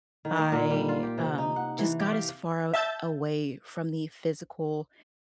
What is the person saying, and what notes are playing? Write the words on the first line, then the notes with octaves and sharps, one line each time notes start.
I, um, just got as far aw away from the physical,
D#3
A#3
A#2
G3
F4
G4
C3
D#4
F#5
E3
G4
F5
E5 A5 E6 G6 A6